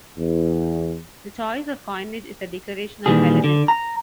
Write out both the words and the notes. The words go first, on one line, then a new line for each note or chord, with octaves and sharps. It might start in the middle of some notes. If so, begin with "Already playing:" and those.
The choice of coinage is a declaration of Hellenism.
E2
A#2 D#3 E3 G3 G#4
D3
A#5